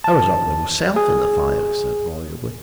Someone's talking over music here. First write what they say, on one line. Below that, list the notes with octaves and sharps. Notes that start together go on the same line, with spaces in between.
"I was up there myself at the fire," he said volubly.
A5
G#4